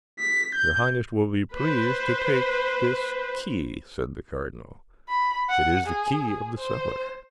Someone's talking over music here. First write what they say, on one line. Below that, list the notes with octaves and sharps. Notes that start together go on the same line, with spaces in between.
"Your highness will be pleased to take this key," said the cardinal; "it is the key of the cellar."
B6
G6
B4 C5
B5
F#5
G#4
G#4
C5